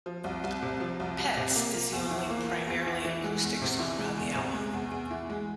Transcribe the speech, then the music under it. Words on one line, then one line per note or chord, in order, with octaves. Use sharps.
"Pets" is the only primarily acoustic song on the album.
F3
C2
C2
C3
F3
C2
C2
C3
A#3
F4
E2
E3
A#3
F4
E2
E3
E3
G#3
E2
C3
E3
G#3
E2
C3
G#3
E2
E2
E3
G#3